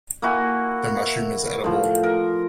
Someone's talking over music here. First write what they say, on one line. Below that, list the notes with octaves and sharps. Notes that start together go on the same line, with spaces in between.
The mushroom is edible.
A#3 E4 F#4 G#5
A2 F3
A#4